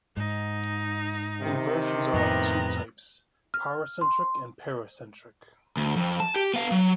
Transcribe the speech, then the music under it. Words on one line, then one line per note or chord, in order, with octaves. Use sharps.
Inversions are of two types: paracentric and pericentric.
G#2 D#4
C3 D#3
F2 A2 B3 A#5
F6
C6
D2
F2
A5
G4
B3 F5
F#3